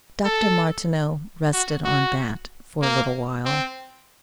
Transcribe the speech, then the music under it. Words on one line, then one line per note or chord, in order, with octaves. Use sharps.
Dr. Martineau rested on that for a little while.
A4
F#4
F#4
A#3
C4